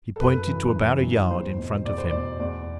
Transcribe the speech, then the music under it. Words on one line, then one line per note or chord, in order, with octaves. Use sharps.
He pointed to about a yard in front of him.
A4
F#2 B4
E3
F#2
E3
E2 C5
B2
E2 D5
C5
B2 D5
E2 D5